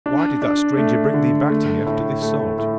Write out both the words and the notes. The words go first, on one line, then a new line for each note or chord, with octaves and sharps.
Why did that stranger bring thee back to me after this sort?
D4
D4
A3
D3
A3
A2
A3
A2